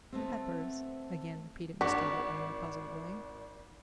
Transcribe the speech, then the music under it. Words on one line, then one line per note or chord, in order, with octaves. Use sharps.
"Peppers!" again repeated Mr. Whitney in a puzzled way.
A3 B3 C4
G#1 D4 F#4 C#6 D6 B6